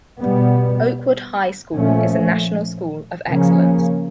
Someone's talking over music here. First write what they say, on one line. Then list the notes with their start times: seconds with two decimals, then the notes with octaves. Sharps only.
Oakwood High School is a national school of excellence.
0.19 B2 G3 B3
1.73 A#2 F3 A3 C#4
3.27 C#3 F3 A#3 C#4